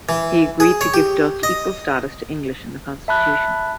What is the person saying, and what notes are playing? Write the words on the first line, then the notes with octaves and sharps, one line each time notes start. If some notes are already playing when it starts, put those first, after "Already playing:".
He agreed to give Dutch equal status to English in the constitution.
E3
G#4
C#5
G4
D#5
E5 A5 B5 F#6